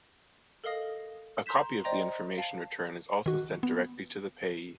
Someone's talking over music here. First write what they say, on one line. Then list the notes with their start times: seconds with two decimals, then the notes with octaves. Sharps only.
A copy of the information return is also sent directly to the payee.
0.64 A4 A#4 D#5 F5 D#6 A#6
1.46 A#5 C6 G6 B6 E7
1.84 C5 D5 D#5 G5 A#5 C6
2.38 F5 A5
3.26 D#3 F#4
3.63 B3